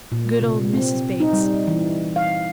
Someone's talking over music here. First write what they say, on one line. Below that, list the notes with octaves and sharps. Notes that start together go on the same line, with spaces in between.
Good old Mrs. Bates.
A#2
C3
C4
D#4
G3
E3
F5